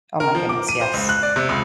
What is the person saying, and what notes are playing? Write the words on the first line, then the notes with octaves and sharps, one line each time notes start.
Oh my goodness, yes.
A#4
F3
D6
D#7
C5
C#2
F#6
D5
C3
C#2